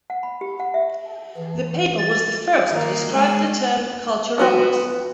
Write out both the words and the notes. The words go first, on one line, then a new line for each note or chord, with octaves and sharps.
The paper was the first to describe the term culturomics.
F#5
B5
G4
F#5
E5
E3
A6
D#3 A#3
G#3 G#4 F#5
F3 B3 F#4